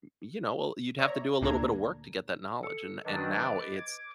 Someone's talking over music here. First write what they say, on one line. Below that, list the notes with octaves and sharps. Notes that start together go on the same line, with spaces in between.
m you know, well, you'd have to do a little bit of work to get that knowledge and and now it's
C#5 D5 E5 A#5
D2 A#2 D4 A4 A#5 G#6
A4 E6 C#7
D#3 F#3 D4 B4 D#5 A6
D6
G#6